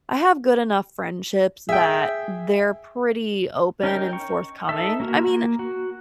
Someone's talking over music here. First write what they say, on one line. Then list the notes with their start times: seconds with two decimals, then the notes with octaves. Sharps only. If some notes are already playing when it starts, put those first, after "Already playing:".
I have good enough friendships that they're pretty open and forthcoming. I mean,
1.69 G#4 E5 G5
3.83 C#4 D#4 A#4 G5
4.13 C#6
4.69 D#4 A4 E5
5.00 A#3 F#4 A#4
5.28 A#3
5.59 F#4